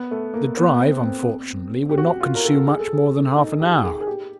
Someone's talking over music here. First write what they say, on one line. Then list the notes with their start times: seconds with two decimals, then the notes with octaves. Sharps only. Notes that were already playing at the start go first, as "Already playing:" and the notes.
The drive, unfortunately, would not consume much more than half an hour.
Already playing: B3
0.11 A3
0.34 A#3
0.57 B3
0.81 C4
1.04 C4
1.89 G4
1.98 F#4
2.21 F4
2.35 A#4
2.44 A4
2.67 G#4
2.79 A4
2.93 G#4
3.37 D#4
3.60 G4
3.84 G#4
4.00 G#4
4.07 G4